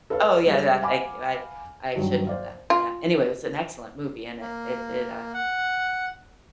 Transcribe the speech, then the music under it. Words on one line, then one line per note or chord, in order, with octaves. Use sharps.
Oh, yeah, yeah, thank you, I I should know that, but, uh, anyway, it was an excellent movie, and it it did, uh,
A4 B4 C#5 F5
G3 G#3
F5 F#5 G#5 B5 D6
G2 D#3 F#3
C5 D5 F5
F4
A#3
F#5